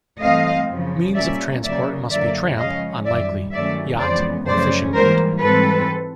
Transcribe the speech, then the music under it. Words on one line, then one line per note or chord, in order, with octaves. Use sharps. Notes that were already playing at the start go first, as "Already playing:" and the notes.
Means of transport must be tramp - unlikely - yacht, or fishing-boat.
G2 E3 A3 C4 D#5 F5
F#2 C#3 F3
A#2 G3 A#3 C#4 D5 E5
F#2 C#3 F#3 A#3 D5 E5
F#2 D3 F#3 A#3 D5 E5
C#3 F3 G#3 C#4 D#5 F5
F#2 D#3 G3 D5 E5
G2 D#3 F#3 A3 C#4 D5 E5
F2 C#3 E3 G#3 B3 C5 D5
F#2 C#3 F3 A3 C#4 C5 D5
G#2 E3 G3 A#3 A#4 C5
G#2 E3 G3 C4 A4 B4